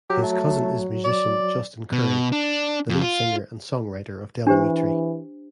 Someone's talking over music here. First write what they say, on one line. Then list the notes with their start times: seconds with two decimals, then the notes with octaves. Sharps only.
His cousin is musician Justin Currie, the lead singer and songwriter of Del Amitri.
0.10 F#3 G4
0.23 A3
1.04 D5
1.93 B2
2.32 D4
2.89 F2
3.02 F4
4.47 E3 D4 G4 C5